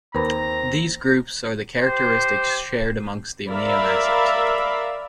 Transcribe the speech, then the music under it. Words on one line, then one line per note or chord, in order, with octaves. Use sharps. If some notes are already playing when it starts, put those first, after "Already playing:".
These groups are the characteristics shared among the amino acids.
D#2 C4 A#4 B4 A#5 B5
G4 C5
A#4 D5 E5 F5 B5